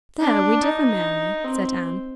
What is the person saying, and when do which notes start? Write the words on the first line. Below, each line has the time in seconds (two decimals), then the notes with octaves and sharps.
"There we differ, Mary," said Anne.
0.21 D4
0.62 D#4
1.44 C4